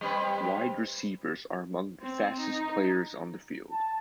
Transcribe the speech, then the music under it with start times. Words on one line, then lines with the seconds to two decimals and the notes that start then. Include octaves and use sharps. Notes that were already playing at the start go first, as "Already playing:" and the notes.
Wide receivers are among the fastest players on the field.
0.01 G3 C4 B4
2.02 C4
2.41 D#4
3.71 A5